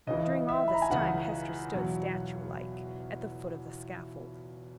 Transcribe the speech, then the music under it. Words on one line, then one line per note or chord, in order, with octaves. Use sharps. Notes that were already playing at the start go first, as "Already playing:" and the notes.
During all this time, Hester stood, statue-like, at the foot of the scaffold.
C#2 C#3 E3 D#5
E5
B5
A#5
G#5
C#2 C#3 E3 F#5
E2 B2 F#3